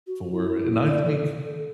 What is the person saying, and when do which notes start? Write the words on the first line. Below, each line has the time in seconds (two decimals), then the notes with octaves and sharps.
for and I think
0.07 F#4
0.32 E4
0.90 D5
1.06 A4